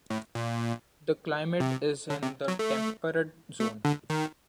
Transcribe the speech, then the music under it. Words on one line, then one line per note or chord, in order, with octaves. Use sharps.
The climate is in the temperate zone.
A2
A#2
C3
D3
C3
F#3
A3
A3
D3
D#3